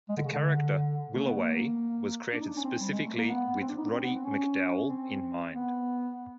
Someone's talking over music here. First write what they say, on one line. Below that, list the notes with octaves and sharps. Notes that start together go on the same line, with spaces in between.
The character Willaway was created specifically with Roddy McDowall in mind.
G#3
D3
C#3
D3
A3
B3
A#3
D4
D#4
D4
C#4
C4
G3
G#3
A3
A#3
B3
C4
D4
D#4
D4
C4
B3
C4
C#4
C4
B3